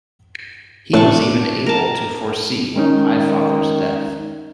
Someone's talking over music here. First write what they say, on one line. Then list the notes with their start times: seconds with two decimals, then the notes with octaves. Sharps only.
He was even able to foresee Highfather's death.
0.94 A2 D4 A5 C#6
1.66 A#4 A5
2.76 D#3 G#3 C#4 D#4